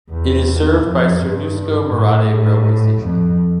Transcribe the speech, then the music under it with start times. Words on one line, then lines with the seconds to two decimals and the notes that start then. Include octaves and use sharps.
It is served by Cernusco-Merate railway station.
0.11 E2
0.84 F2
1.20 G2
1.92 A2
3.02 F2